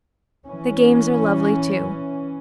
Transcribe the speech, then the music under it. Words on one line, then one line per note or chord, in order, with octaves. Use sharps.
The games are lovely, too.
E3 C#4